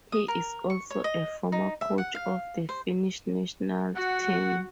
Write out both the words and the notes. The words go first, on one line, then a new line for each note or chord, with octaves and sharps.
He is also a former coach of the Finnish national team.
D#6
A#4
C#6
C#5
D#5
D#4
E5
F#5
F5
C5
F#4 F#5